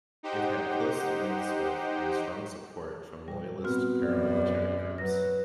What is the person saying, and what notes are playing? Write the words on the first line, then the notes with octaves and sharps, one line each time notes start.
It had close links with, and strong support from loyalist paramilitary groups.
D#4 G4 C5 F#5 G5
A#2 G3
B3 C4 F#4 F6
F#2 D5
F#3 B4 A#6